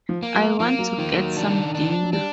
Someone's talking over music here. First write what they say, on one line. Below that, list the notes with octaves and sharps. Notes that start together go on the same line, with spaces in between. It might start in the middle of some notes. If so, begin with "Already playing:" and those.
I want to get some dinner.
F3
A#3
F#3
F3 A#3
F#3
D#3 F3
F#3
D4
D4
F#3
G3 D4